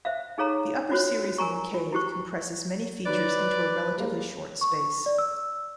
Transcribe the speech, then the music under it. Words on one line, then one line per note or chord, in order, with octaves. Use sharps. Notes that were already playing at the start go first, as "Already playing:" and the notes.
The upper series of the cave compresses many features into a relatively short space.
C5 E5 F5
D#4 G#4 A4 C#5 F5 A#5
F4 F#4 C5 C#5
A#4 G#5 A#5 C#6
F4
E4 F#4 G4 C5 C#6
D#3 F#3 B4 D5
G3 G#3 A#3
C#6
D5
E6